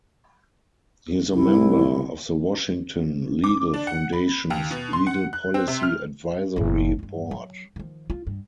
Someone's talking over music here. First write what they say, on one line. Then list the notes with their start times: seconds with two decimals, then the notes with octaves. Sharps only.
He is a member of the Washington Legal Foundation's Legal Policy Advisory Board.
1.34 C2 E4
3.44 D6
3.74 D4
3.87 F#5
4.13 B5
4.50 D#2
4.71 B2
4.93 C6
5.07 F#5
5.33 F#6
5.54 C4
5.68 C3
5.83 F6
6.56 F#1 A#2
6.99 G2 D#4
7.31 F#3
7.76 D#3 F3
8.10 F4
8.27 G2